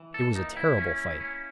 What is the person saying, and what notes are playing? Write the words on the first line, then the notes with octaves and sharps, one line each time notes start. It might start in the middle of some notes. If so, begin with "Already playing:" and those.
It was a terrible fight.
Already playing: E3
A4
A#3 D#4
E4
C#4
C#4